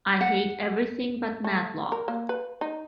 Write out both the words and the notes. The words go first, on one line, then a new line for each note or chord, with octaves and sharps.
I hate everything but "Matlock".
F#5
A3
A#4
A#3
B4
D#4